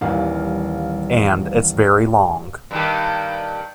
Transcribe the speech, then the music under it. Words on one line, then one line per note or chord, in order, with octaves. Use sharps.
And it's very long.
D#1 D#3 E3 G3 F5
G2 D#3 G4